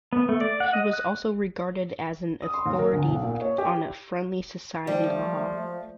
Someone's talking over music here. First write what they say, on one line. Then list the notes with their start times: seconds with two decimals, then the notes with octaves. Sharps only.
He was also regarded as ‘an authority on Friendly Society law.
0.13 B3
0.29 A3
0.41 D5
0.60 F#5
0.73 D#5
0.93 F#6
2.42 D#6
2.54 C6
2.66 D#2
2.78 A#4
2.93 D2
3.08 B1
3.23 A#2
3.41 C#5
3.58 G4
4.87 F3 G3 A3